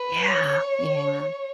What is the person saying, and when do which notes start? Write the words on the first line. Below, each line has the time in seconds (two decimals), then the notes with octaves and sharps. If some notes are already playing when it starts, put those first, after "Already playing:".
Yeah, yeah.
Already playing: B4
0.31 C#5